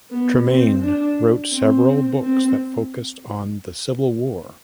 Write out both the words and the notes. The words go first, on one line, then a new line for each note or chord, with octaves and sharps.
Tremain wrote several books that focused on the Civil War.
B3
C4
D4
C4
C4